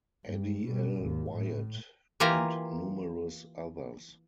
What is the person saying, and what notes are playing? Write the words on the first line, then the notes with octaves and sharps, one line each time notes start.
Addie L. Wyatt, and numerous others.
G2
B2 G3
G#1 D#2
A2
E3 A#3 F4 G4 G#5 A#5